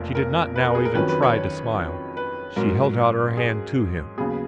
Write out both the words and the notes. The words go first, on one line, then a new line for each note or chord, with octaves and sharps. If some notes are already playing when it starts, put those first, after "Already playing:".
She did not now even try to smile, she held out her hand to him.
Already playing: F1 F2 F3 A#3 A#4
A#4
B4
A#4
G#4
A#4
F2 D#3 F#3 C#4 B4
B4
C#5
C#5
B4
G#2 F#3 C#4 A#4
G#4
D#2 C#3 F#3 B3 G#4